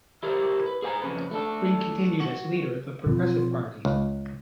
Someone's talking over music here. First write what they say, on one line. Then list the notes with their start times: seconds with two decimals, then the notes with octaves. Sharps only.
Green continued as leader of the Progressive Party.
0.23 E4 G4 A#4 C5
0.66 B4
0.82 G#4 C5 F5 G5 G#5 A#5
1.02 F2 C#3 B4
1.31 A3 D4 A4
2.20 F#4
3.06 B2 F3 C4 F4
3.85 C#2